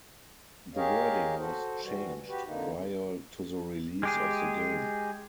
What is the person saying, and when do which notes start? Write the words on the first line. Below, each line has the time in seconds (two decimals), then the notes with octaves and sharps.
The wording was changed prior to the release of the game.
0.76 G4 G#4 A#4 C#5 D#5 F5
1.39 F#4 A4 C5
1.82 E3 G3 F#4
2.28 F#4 G4 B4
2.46 F2 D3 A#3 D#4
4.03 G#3 G4 G#4